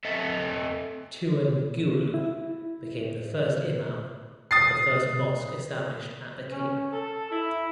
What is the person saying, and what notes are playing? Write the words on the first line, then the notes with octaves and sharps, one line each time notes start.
Tuan Guru became the first imam of the first mosque established at the Cape.
C4 A4 D#5 E5 F#5
E4
D#6 A6 C7
C#4
A4
E4